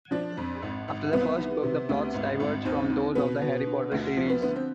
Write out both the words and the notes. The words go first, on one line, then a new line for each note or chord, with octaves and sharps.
After the first book, the plots diverge from those of the Harry Potter series.
F3 D4
F2
G#1
G#1
C2 B3
D#3
C3
D2
G#1
G#1
D#2 C4
D#3
B2 B3
B2
D3
D2
F3
B3
D3 B3
C4